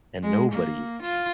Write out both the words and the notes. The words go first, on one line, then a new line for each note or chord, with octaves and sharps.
And nobody
G#3
A#3
F4